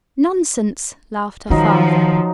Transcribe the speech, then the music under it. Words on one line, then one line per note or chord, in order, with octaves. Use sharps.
"Nonsense," laughed her father.
D#3 F3 F#3 D#4